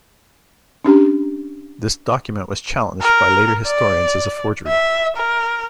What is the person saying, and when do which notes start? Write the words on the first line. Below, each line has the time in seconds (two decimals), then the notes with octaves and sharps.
This document was challenged by later historians as a forgery.
0.85 C#4 D4 G4 A#5
3.02 A#4
3.67 D5
4.67 E5
5.17 A#4